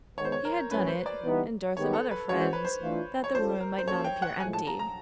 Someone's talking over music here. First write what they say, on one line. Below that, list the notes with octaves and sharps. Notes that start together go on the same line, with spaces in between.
He had done it, in dearth of other friends, that the room might not appear empty.
D#3 G#3 B3 C#5
C5
C#5
A#4
A2 F#3 A3 C#4 B4
C5
D5
E3 G3 B3 D#4
D#3 G#3 B3 D#4 G4 C#5
A4
B4
E3 G#3 C#4 F#4 C#5
C5
B4
C5
E3 A3 D4 F4
C#5
G#3 C#4 F4 A4 C5
A#4
C5
A#3 C#4 F#4 A4 C#5
G5
F#5
A2 F3 G#3 G#5
A5
A#5
A#5